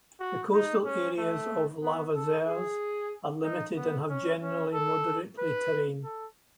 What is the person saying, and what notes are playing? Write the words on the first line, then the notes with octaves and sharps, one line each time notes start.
The coastal areas of Lavezares are limited and have generally moderately terrain.
F#4
D#4
C#4
A3
B3
A4
G#4
D#4
B3
C#4
C#4
A4
B4
A4